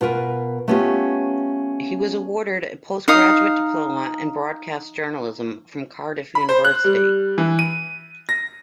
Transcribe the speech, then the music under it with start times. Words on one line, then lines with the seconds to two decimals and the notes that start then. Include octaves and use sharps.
He was awarded a post-graduate diploma in broadcast journalism from Cardiff University.
0.01 B2 F4 A#4 B4
0.68 A3 B3 C#4 F4 G4
3.08 D#4 F5 D#6
6.35 B5
6.49 C5
6.65 F#6
6.84 G3
7.38 E3
7.59 D#7
8.29 A#6